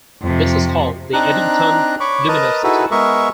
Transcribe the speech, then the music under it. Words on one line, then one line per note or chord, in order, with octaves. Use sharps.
This is called the Eddington Luminosity.
F2 C3
C4 D4 D#4 A#5 F#6
C#5 B5 C#6 D6
A#4 B4 D#5 A5 A#5
D#4 E4 F#4 G#4 A4 B4
G#3 B3 G#4 A#4 E5 C#6